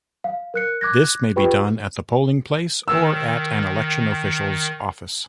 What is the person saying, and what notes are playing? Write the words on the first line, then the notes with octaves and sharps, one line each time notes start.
This may be done at the polling place or at an election official's office.
F5
A#4 F#6 C#7
D6 F#6 G#6 A#6
F4 G4 B4 G5 B5 C#6
D#3 E6